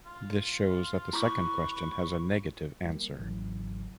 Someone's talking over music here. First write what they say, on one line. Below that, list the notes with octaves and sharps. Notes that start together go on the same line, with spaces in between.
This shows that the second question has a negative answer.
F4
E4 B4 C#6 D6
G3 A#3
G#1 C#3 E3 F#3